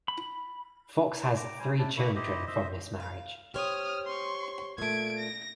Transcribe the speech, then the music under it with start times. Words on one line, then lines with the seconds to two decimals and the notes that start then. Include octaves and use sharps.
Fox has three children from this marriage.
0.08 B5
1.36 G5 A#5 D6
1.59 G3 C5 G#5
1.78 D4 E4 A5
1.97 A#3 E4 B5 C#6
2.15 E4 G4 C5 D#5
2.47 C5 D#5 E5
3.00 F5
3.54 G4 C5 C#5 D#6 F6
4.06 C6 C#6
4.78 A#2 A3 G#6 D7
5.19 A#6